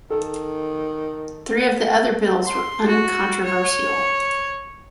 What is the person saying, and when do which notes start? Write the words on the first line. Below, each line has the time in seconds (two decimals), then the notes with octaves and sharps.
Three of the other bills were uncontroversial.
0.10 D#3 A4
2.47 C6
2.87 F#4
3.45 C#5